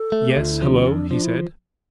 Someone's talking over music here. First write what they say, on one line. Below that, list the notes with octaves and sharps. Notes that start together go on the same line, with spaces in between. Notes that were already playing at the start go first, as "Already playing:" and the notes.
"Yes--hello!" he said.
Already playing: A4
A3
G4
D2 F4
E4
F3 D4
C#4
F2
D4
F3 D4
E4